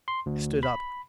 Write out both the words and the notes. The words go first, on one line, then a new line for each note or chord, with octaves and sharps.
I stood up.
C6
D2
B5